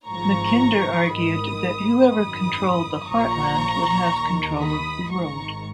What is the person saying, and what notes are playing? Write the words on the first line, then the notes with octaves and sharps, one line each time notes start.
Mackinder argued that whoever controlled the Heartland would have control of the world.
G#1 G#2 F3 A#5 C#6
G#1 G#2 D#3 B5 D#6
G#1 F#2 D#3 B5 D#6
A#1 A#2 F3 A#5 C#6
D#2 D#3
B5 D#6
G#1 G#2 D#3 A#5 C#6